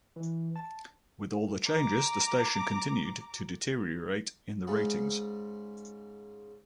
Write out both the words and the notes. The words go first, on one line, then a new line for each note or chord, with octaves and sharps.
With all the changes, the station continued to deteriorate in the ratings.
E3
A5
A#5 D6
G#2 C#3